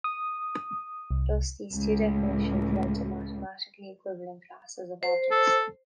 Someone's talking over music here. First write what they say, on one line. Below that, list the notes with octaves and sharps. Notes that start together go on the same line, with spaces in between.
Thus, these two definitions lead to mathematically equivalent classes of objects.
D#6
C2
C#2 A2
C5
A4